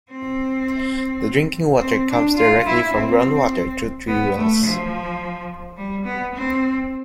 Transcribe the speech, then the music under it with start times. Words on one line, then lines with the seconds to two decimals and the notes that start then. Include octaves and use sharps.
The drinking water comes directly from groundwater through three wells.
0.11 C4
1.80 C4
2.10 D4
2.37 F4
2.66 E4
2.93 C4
4.07 B3
4.35 A3
4.64 F3
5.77 G3
6.05 B3
6.34 C4